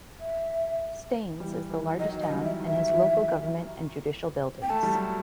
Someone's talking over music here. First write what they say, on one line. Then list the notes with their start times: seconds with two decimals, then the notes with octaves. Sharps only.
Staines is the largest town and has local government and judicial buildings.
0.20 E5
1.40 E3 G3
1.70 E3
1.99 D#3 F#3 D#5
2.22 D#5
2.30 E3 G3
2.45 E5
2.60 D#3
2.67 E5
2.89 E3
4.62 G5
4.70 A3 A5
4.83 G3
4.95 F#3